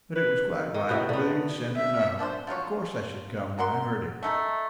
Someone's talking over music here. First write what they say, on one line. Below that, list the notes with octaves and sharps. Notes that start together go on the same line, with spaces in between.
But it was quite right, whether you sent or no. Of course I should come when I heard it.
B4
D#3
A2 C3 F#3 B3
D3 B3
E5
F3 D4 F4 C5
F3 F#3 F4 C#5
F#4 A#4 F#5 C6
A3 D#4 A4